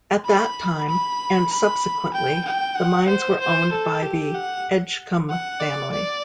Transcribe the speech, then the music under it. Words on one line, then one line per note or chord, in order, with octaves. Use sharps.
At that time and subsequently, the mines were owned by the Edgcumbe family.
B5
B5
B5
G5
G5
F#5
C5
C5
A4
G4
F#5
F#5
D5
D5